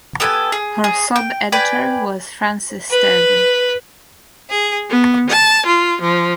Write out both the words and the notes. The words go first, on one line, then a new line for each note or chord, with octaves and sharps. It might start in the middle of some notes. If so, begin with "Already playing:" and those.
Her subeditor was Frances Sterling.
B3 G4 A4 G#5
G#4
G#4
G5
B4 D5 G5 G#5
B4
G#4
B3
A5
F4
F3